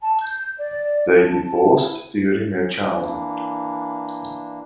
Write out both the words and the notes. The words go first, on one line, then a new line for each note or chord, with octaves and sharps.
They divorced during her childhood.
A5
G6
D5
A5
E4
E3 A#3 D4